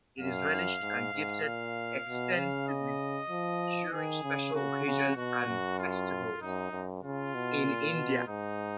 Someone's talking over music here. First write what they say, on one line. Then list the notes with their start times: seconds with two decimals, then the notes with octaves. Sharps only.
It is relished and gifted extensively during special occasions and festivals in India.
0.20 F#2 F5
0.82 G#2
1.13 G#2
1.44 A#2 F5
2.06 B2
2.37 C#3
2.68 D#5
3.30 F3
3.92 D#3 G#4
4.23 C#3
4.54 C#3 F#4
4.86 C#3
5.16 B2 F#4
5.48 F#2
5.79 F4
6.41 F#2 D#4
6.71 F#2
7.03 C#3 F4
7.35 B2
7.65 A#2
7.96 B2
8.27 G#2 D#4